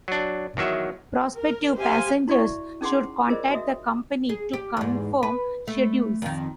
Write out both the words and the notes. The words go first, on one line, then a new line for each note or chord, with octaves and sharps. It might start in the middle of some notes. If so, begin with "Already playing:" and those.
Prospective passengers should contact the company to confirm schedules.
F#3 D4
E2 D#3 F#3 E5
A#4
G4 C5 E5 F5 G#5 C6
E4 F#4 D5 E5 C#6
C#4 D#4 G#4 F#5 C6
F4 G#4 A#4 C5 D5 D#5
F#4 D#5 E5 D#6
G#4
G4
E2 G#2
B4
A3
F2 D#3